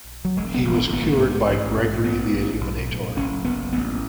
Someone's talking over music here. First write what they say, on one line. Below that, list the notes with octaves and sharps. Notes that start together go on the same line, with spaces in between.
He was cured by Gregory the Illuminator.
F#3
E1 G#3
B3
E1
B3
G#1 B3
A3
B3
G#2
A1
G#2
A3
A1 B3
G#2
B1
A2
F#1 C#4
F#1 B3
A1 B3